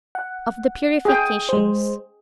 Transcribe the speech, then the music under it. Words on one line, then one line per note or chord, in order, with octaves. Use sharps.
Of The Purifications.
F#5
G#4 G5
G#3 C5